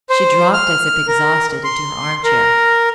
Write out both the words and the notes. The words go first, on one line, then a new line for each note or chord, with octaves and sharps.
She dropped as if exhausted into her armchair.
C5
F6
A#4
C6
A#4